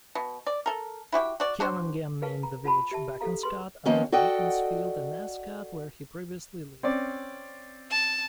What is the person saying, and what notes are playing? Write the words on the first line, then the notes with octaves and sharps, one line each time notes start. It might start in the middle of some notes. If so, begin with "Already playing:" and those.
Callingham named the village 'Bekonscot' after Beaconsfield and Ascot where he previously lived.
B2
D5
A4 A#4
E4 F#4 G4 G5
F#4 D5
D4 F#4 C5
G#4 A#4 B4 F5 A5
A#5
F4 F#5 A5 B5
G4 E5 A5
D4 G4 A4 F5 A#5
G#4 B4 C6
D#3 F3 A#3 B3 C#4
F#4 A4 D5 D#5 F#5 G5
C4 C#4 D5
A5